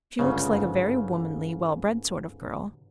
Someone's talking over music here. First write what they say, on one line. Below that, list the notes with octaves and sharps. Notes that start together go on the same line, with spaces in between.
She looks like a very womanly, well-bred sort of girl.
G1 G#2 C#3